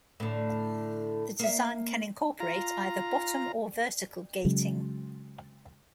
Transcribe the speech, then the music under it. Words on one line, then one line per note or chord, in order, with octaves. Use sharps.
The design can incorporate either bottom or vertical gating.
A2 D3
A#3 E5
F4 A#5
C#3 F#3 G#3